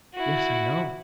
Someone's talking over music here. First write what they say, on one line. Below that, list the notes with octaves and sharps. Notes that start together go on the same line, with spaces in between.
"Yes, I know."
E4 F#4